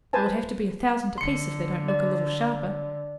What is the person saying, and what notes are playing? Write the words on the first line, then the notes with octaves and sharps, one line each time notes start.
It will have to be a thousand a piece if they don't look a little sharper.'
B4 C5 G#5 A5
D3 C6 C#7
D5